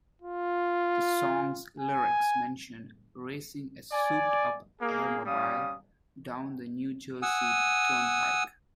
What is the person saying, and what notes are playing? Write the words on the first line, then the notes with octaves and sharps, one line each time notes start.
The song's lyrics mention racing a souped-up "air-mobile" down the New Jersey Turnpike.
F4
G#5
D5 G#5
A#3 G#4
G3 C#4 F5 D#6
F#5 G#5 D#6 E6